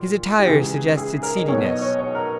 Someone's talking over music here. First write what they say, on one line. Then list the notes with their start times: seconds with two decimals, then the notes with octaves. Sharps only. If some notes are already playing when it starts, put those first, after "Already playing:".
His attire suggested seediness.
Already playing: A#1 A#2
0.40 G4
0.47 C#2 C#3 E3 G#4
0.97 G#4
1.23 A#4
1.36 D#5
1.48 B1 B2 C#5
1.65 D#5
1.81 C#5
1.98 C#5
2.15 A#4